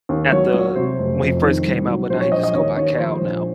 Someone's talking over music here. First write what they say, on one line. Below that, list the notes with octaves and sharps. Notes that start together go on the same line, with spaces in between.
at the when he first came out, but now he just go by Cal now.
D#2
F#3 C#5
F#3
C3 C5
F1
F2
D#3
C2
F#3
A#1 C5
C#5
A#1 D#5
D#5
D#2 C#5
D#2 C#5
F3 C5
A#1